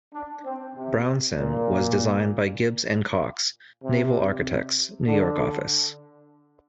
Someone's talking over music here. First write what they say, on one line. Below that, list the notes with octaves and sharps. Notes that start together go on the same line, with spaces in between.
"Brownson" was designed by Gibbs and Cox, Naval Architects, New York office.
D4
C4
C3
A#2
C3
D3